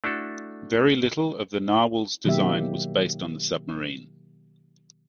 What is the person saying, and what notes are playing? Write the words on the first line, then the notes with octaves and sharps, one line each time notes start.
Very little of the "Narwhal"s design was based on the submarine.
A3 D4 E4 F#4 A4
B2 D#3 F#3 A#3 G4 E5